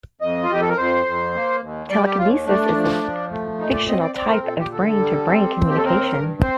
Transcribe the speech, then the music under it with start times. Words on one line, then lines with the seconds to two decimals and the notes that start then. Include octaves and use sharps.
Telekinesis is a fictional type of brain to brain communication.
0.21 F2 D#5
0.43 F4
0.49 F2 G4
0.61 A4
0.69 A#4
0.77 F2 C5
1.06 F2
1.35 A#3
1.62 D#2
1.90 G3 D5
2.06 G4
2.18 D#2 F4
2.46 A3 D4
2.75 F3
3.03 F3
3.31 A3
3.59 A#2 D#4
3.73 D5
3.87 C4 D#5
4.01 D5
4.15 C4 D5
4.29 A#4
4.44 A#2 A4
4.59 G4
4.71 D3 A4
5.00 G3
5.29 C4
5.57 D#2
5.70 G4
5.77 A4
5.85 C4 A#4
6.13 G2
6.41 C4 C5